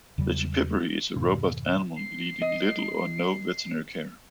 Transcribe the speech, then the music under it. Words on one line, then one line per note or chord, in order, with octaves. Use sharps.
The Chippiparai is a robust animal needing little or no veterinary care.
E2 C#3 F#3 G3
F2 G#2 B2 D#3
C7
D#5